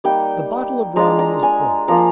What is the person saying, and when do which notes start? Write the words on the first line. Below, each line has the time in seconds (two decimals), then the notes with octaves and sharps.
The bottle of rum was brought.
0.04 G3 A#3 D#4 G5
0.96 G#3 D4 F4 A#5
1.19 A#5
1.43 G#5
1.88 F3 A#3 F4 A#5